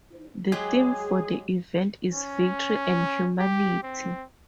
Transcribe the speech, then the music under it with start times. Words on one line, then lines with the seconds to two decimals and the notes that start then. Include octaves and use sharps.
The theme for the event is "Victory and Humanity".
0.52 F#3 G#3 G4 G#4
2.14 C#4
3.40 G4
3.83 C4